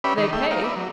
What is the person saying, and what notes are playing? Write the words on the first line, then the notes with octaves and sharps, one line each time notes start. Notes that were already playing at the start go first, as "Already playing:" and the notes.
They pay.
C#4 G4 B4 D5 E5 B5
D#3 D#4
A3 E5 G5
D#4 F5 A#5
B4 D5 E5
F#3